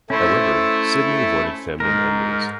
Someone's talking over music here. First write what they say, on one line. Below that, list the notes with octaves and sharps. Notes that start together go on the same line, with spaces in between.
However, Sidney avoided feminine endings.
A3 C#4 E4 C5
G#2 A#4